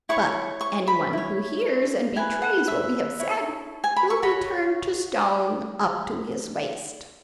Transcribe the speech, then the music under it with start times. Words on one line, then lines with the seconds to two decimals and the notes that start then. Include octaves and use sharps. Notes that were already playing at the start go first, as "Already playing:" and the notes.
But anyone who hears and betrays what we have said will be turned to stone up to his waist.'
0.09 E4 C#5 C#6
0.61 C#6
0.88 B5
1.13 E4 C#5
2.16 E4 B4 G#5
2.42 F#5
2.68 E5
3.19 E4 C#5
3.84 G#5
3.96 B5
4.10 C#6
4.22 F#4 C#5 B5